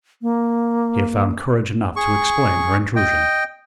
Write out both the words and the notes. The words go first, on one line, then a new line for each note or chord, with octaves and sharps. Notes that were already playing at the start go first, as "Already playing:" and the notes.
She had found courage enough to explain her intrusion.
A#3
G#4 C#6
D#5 G5